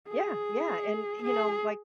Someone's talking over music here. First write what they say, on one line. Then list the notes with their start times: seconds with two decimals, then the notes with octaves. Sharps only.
Yeah, yeah, and you know, like,
0.09 G#4
1.23 G#4